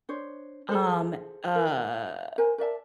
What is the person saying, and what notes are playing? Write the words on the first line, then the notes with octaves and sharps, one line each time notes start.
Um, uh,
D4 C5 C#5
G#4 A4 C5
A#4
A#4 C5 G#5
A#4 D5 E5 A5